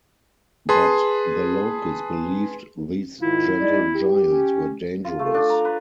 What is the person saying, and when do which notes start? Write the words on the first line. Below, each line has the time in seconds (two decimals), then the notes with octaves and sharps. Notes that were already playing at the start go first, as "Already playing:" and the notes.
But the locals believed these gentle giants were dangerous.
0.69 G#4 B4 A5 C6
3.21 G#2 D#3 E4 F4
3.60 G#3 D#4 D5
3.95 G4
4.27 C#4
5.05 F4
5.19 A3
5.34 D4
5.50 A#5
5.65 B4